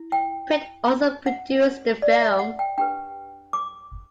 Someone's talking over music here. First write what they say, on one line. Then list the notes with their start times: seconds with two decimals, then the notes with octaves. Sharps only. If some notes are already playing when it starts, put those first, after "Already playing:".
Pitt also produced the film.
Already playing: E4
0.12 G5
1.26 F#5
2.02 D5
2.21 E5
2.39 F#5
2.59 G5
2.78 D4 G4 B4 G5
3.53 D6